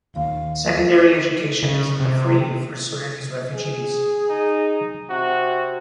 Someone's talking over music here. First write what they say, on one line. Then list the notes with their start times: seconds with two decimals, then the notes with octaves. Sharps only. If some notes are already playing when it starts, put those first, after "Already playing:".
Secondary education is not free for Sudanese refugees.
0.16 D#2 F5
1.63 C#3
2.00 C3
3.54 G#4
4.29 D#4
5.10 C3 F#4